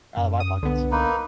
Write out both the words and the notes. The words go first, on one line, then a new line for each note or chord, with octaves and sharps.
out of our pockets.
F#2
D#6
C2 D3 B3
A#3 D#4 B4